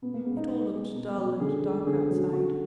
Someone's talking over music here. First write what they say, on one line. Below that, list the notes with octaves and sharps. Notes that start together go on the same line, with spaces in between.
It all looked dull and dark outside.
B2 B3
A#3
G#3 B3
D#4
B2
G#3
B2
F#3
D3 G#4
G#3
D3 G#4
F#3
D3 F#4